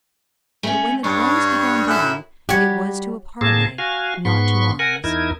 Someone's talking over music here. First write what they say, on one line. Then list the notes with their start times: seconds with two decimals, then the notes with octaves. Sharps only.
But when the drums began beating, it was to a parley, not to arms.
0.63 A3 C#4
1.04 G2 D4 C#5
1.87 F#2 A2 E4
2.49 G3 F#4 G4 C#5
3.41 A2 A#3 C4 G#4 A5
3.78 F#4 F5 G#5
4.25 G#2 B3 C6 C#6
4.79 A#4 F#5 G#5
5.04 E2 D#4 E4 A#4 G#6